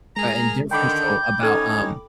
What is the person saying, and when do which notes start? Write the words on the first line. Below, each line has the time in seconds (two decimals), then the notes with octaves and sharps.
uh, and differential about, um,
0.17 G#3 G#4 A#4 A#5
0.71 D3 D#3 G5 B5 D6 G6
1.43 C#4 D#4 A4 G#6